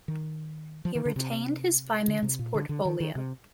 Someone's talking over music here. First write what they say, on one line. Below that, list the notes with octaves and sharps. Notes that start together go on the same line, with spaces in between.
He retained his finance portfolio.
D#3
F3
D#3
D3
C3
D3
C3
A#2
D3
D3
D#3
D#3
C3